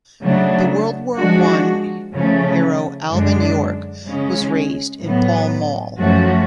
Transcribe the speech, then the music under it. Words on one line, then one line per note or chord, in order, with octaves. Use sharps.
The World War One hero Alvin York was raised in Pall Mall.
C#3 F#3 A3 D4
F3 G#3 D4 F#4
C#3 F3 A3 C#4
F#2 D3 G#3 D4
C#3 G#3 C#4
A2 F#3 B3
F#2 F3 A3 C#4 F#4